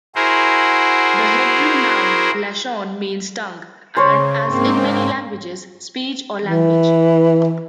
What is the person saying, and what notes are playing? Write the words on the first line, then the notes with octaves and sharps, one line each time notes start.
The Hebrew noun "lashon" means "tongue", and as in many languages, "speech" or "language".
E4 F#4 G#4 A#4 C5
C#3 C5 C#5
G#2 A#3 C4
E3